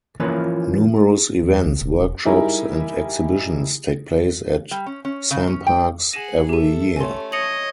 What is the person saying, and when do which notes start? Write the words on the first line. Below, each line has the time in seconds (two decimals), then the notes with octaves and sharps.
Numerous events, workshops and exhibitions take place at Samparks every year.
0.20 E3 F3 A#3 C#4 F4 B4
1.44 E2
1.66 C#2
1.82 E1
2.00 E1
2.25 G3 D#4 E4 G4 G#4 A#4
4.71 G3
4.86 C#4
5.05 C#4
5.31 C#3
5.48 C#4
5.67 G5
6.13 G#4 F#5 A#6 D#7 E7
6.49 G4 A4 E5 D#7
6.96 A3 C#4 G#5 C6
7.32 C#5 D#5 C#7 F7 F#7